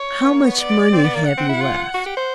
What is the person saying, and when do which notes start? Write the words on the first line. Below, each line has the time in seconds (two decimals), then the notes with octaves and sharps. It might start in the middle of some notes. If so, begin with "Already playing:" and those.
"How much money have you left?"
Already playing: C#5
0.24 B3
0.35 A#3
0.47 B3
0.58 D5
0.92 C4
1.04 B3
1.15 A#3
1.27 F#5
1.37 C4
1.49 E4
1.60 F4
1.94 F#4
2.06 G4
2.17 C5